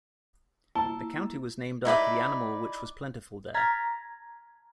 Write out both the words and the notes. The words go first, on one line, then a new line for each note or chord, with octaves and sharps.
The county was named after the animal which was plentiful there.
A#3 E4 A5
D#4 E4 B4 D5
A#5 F6 G#6 A6 B6